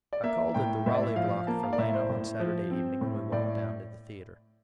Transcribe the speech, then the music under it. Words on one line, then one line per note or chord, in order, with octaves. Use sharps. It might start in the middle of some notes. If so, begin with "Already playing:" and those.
I called at the Raleigh Block for Lena on Saturday evening, and we walked down to the theater.
D5
A#3 E5
A2 G5
A2 E5
D5
E5
F3 F5
A#3 A5
F5
D5
A2 E5
C5
A2
F3
C4
A2
A2 D5